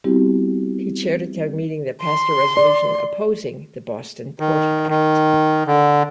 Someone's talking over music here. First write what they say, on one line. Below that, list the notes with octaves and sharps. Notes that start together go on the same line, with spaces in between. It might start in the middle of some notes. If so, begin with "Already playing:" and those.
He chaired a town meeting that passed a resolution opposing the Boston Port Act.
G3 B3 C4 E4 F#4 G4
C6
D5
D#3
D#3
D3